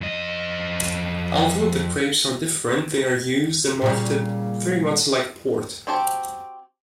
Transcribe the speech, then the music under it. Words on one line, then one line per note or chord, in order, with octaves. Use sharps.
Although the grapes are different, they are used and marketed very much like port.
F2 D#5
A#2 C#3 G3
C4 F#4 G4 C5 A5